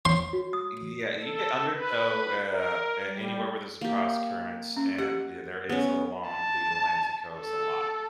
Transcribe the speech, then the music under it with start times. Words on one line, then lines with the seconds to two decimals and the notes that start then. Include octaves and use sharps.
Yeah, you get undertow, uh, a anywhere where there's a cross current, and there is along the Atlantic Coast a lot.
0.05 C#5 C6
0.33 F#4
0.53 D#6
1.21 A4
1.72 B4
2.49 A#4
3.03 G3
3.81 A#3 G4
4.76 C#4
4.98 G4 F#5
5.69 B3 C#4 G#4
6.29 A5
7.38 A4